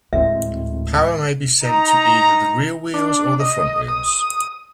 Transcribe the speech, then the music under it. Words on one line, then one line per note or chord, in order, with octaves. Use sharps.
Power may be sent to either the rear wheels or the front wheels.
D2 A2 G#3 C4 E5
D#4 A#5
D4
D#5
D#6